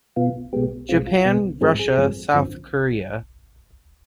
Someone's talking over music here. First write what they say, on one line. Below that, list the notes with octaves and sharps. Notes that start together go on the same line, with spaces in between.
Japan, Russia, South Korea.
B2 B3 F4
B2 G#3 B3 G4
B2 G#3 C4 F4
F4
B2 B3
G#2 F3 G#3 C4 G#4
G#4
G2 F3 G#3 C4
G2 D3 F3 C4